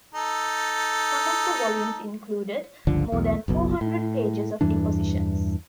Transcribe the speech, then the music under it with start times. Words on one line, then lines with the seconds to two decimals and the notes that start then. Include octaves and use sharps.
Some of the volumes included more than four hundred pages of depositions...
0.15 D#4 A4
2.87 G1 C#2 D3 F3
3.12 B1 E2
3.48 F#1 B1 B2
3.81 A2
4.61 E2 G2 E3 D4